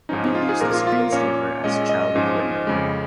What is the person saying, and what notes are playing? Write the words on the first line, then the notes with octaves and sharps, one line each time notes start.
Previews the screensaver as child of window.
G#2 F3 C#4 D#4
D#4
F4
G#4
A#2 F3 A#3 A#4
F4
F4
A#4
A#2 A#3 C#4 C#5
A#2 G#3 C#4 D#5
D#5
G#2 F3 C#4
F2 C#3 G#3